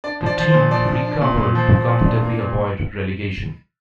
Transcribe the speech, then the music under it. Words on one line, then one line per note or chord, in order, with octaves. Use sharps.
The team recovered to comfortably avoid relegation.
D4 D5
F3
D5
F3
C5
A#2
F3 D5
D4
D4
A#2
A#2
F3
F3
A#2
D4
A#3
A#2